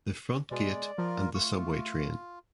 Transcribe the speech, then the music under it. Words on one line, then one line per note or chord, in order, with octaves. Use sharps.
The front gate and the subway train.
B2 G#3 D5
F3 F4 A#4
A3 F4 C#6